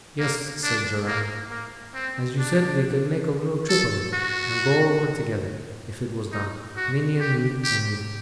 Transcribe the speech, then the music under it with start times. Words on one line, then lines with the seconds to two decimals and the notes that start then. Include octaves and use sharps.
'Yes,' said Joram. 'As you said we could make a little trip of it, and go over together, if it was done, Minnie and me--and you.'
0.19 A#3
0.64 D4
1.06 A#3
1.51 A#3
1.94 C4
2.38 D4
3.69 A4
4.13 F#4
6.32 D#4
6.76 F#4
7.20 G4
7.64 G4